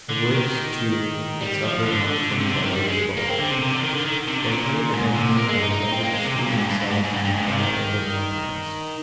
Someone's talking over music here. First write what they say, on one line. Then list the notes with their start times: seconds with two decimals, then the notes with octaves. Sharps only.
The woods, too, had suffered much from the batteries above, for here the enemy had endeavoured to screen themselves from the fire of the ramparts.
0.09 D3
0.31 D#3
1.41 G3
1.64 F3
1.86 D3
2.07 D3
2.29 C3
2.40 C3
2.51 D3
2.63 D#3
2.73 G3
2.88 G#3
3.17 A#3
3.29 C4
3.39 D3
3.51 C3
3.61 C3
3.72 D3
3.83 D#3
3.94 D3
4.05 D#3
4.27 C3
4.38 D3
4.50 A#2
4.93 G#2
5.15 C3
5.37 A#3
5.48 G#3
5.59 D#4
5.70 D#4
5.81 D#4
5.92 C4
6.03 A#3
6.14 G#3
6.25 C3
6.36 A#2
6.47 G2
6.58 G#2
6.69 G2
6.80 G2
6.91 G#2
7.04 G#2
7.13 G2
7.24 G2
7.35 G#2
7.46 C3
7.57 D#3